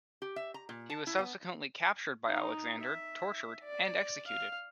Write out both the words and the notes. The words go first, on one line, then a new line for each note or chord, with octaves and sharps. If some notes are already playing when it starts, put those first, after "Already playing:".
He was subsequently captured by Alexander, tortured, and executed.
G4
E5
A#5
A#2
A5
E4
B3
D#4
E5
D5
F5